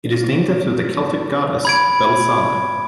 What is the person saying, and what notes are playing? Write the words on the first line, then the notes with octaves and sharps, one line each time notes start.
It is named after the Celtic goddess Belisana.
B5 G#6 D7